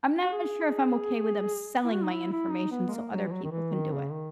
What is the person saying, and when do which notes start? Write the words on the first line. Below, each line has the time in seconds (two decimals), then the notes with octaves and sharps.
I'm not sure if I'm okay with them selling my information so other people can do it.
0.23 F#4
0.32 G#4
1.84 E4
1.91 F#4
2.03 D#4
2.11 E4
2.32 E4
2.51 D#4
2.71 B3
2.88 G#3
2.91 A#3
3.12 F#3
3.26 E3
3.32 F#3
3.44 D#3
3.51 E3
3.72 D#3
3.93 C#3
4.12 D#3